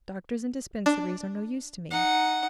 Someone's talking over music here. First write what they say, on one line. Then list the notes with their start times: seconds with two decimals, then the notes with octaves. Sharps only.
Doctors and dispensaries are no use to me.
0.86 D4
1.91 D#4 F#5